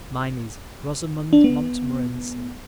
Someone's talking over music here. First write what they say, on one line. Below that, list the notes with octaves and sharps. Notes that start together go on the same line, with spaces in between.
Mine is Rosamond Montmorency.
D4
B3